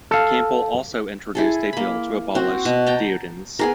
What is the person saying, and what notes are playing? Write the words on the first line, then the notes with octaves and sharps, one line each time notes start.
Campbell also introduced a bill to abolish deodands.
A4 F5
E4 G#4 A4
A#3 B5
C4 F#4
B2
G5 A5 A#5
B3 G#4 A#4